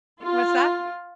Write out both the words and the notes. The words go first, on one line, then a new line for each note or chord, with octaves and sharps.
What's that?
F4